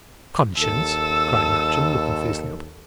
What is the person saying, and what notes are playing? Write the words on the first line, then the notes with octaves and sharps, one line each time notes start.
"Conscience!" cried Matcham, looking fiercely up.
D#2 A4 A5 E6